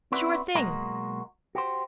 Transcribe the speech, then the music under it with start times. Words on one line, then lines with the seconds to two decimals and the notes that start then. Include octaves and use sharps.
Sure thing.
0.12 C4 C#4 E4 F#4 B4 D5
0.55 B1 G#3 A#3 F#4 D#5 A#5
1.55 F#4 G4 C5